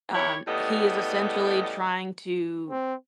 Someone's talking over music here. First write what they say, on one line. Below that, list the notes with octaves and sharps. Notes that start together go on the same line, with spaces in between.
um, he is essentially trying to
E4 G4 C#5
A2 C#3 G3 B3 D#5
C4